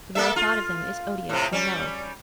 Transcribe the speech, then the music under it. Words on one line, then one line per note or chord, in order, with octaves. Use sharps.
The very thought of them is odious and low.
A#3 A4 E5
F4
A2 C3
G3 C#4